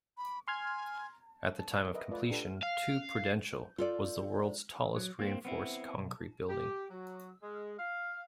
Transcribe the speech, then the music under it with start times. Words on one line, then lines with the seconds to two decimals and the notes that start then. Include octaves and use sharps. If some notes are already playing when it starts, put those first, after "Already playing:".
At the time of completion Two Prudential was the world's tallest reinforced concrete building.
0.17 B5
0.48 G#5 C6 F6 G#6
1.59 A5
1.94 A#4 B4 D#5 E5
2.11 A3 F4 B4 D5
2.30 D4 G4 A4 B4
2.63 F5
3.78 F4 A4 D5
4.96 F#3
5.19 A#3 C4
5.45 B3 C4 E4
5.95 B1
6.49 G4
6.90 F#3
7.43 G#3
7.78 F5